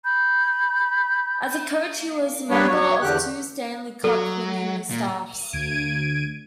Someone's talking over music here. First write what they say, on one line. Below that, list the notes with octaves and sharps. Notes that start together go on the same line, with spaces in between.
As a coach, he was a member of two Stanley Cup-winning staffs.
B5 G6
G3 A#3 B3 D4 B4 C#5
F#3 C#5
E2 D3 G4 F#6
F#3 A4
A#2
D2 G#6 D7 D#7